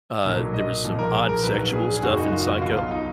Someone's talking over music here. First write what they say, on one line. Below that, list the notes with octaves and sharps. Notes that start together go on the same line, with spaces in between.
uh, there was some odd sexual stuff in Psycho,
B1 A#2 F#3
D#5
B1 A#2 F3
A#4
G#4
A#4
A#1 G#2 F#3 B4
G#4
G#4
F#1 F#2 D#3 F#4
D#4
F#4
F4
F#4
B1 B2 F#3 F4
F4
D#4